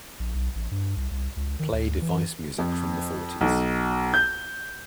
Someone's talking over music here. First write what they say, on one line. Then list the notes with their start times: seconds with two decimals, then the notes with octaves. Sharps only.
Play Device music from the fourties.
0.20 A#1
0.35 B1
0.55 A1
0.71 G2
0.97 C2
1.11 C2
1.37 C#2
1.60 D#3
1.73 D2
2.02 E3
2.58 F2
3.41 B1
4.14 G6